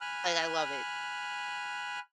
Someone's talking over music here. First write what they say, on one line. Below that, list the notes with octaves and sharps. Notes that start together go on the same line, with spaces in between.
Like, I love it.
G#5 B5 F6 F#6